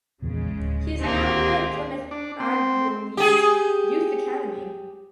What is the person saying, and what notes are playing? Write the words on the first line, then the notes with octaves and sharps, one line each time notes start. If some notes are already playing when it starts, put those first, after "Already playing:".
He is now head Plymouth Argyle's Youth Academy.
A#1 E2 C#3 G#3
D1
D#2 A#3 C4 G4 G#4
D4
C4
G4 G#4